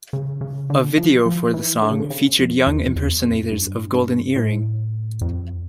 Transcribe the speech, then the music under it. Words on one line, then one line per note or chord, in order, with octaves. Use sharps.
A video for the song featured young impersonators of Golden Earring.
C#3
C#3
D3
F3
F3
E3
D3
C#3
D3
C#3
F2
E2
F2
E2
F2
G2
G2
A2
F2